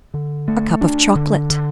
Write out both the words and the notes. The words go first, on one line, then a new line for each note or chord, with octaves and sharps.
"A cup of chocolate."
D3
A3
D4
D3
D3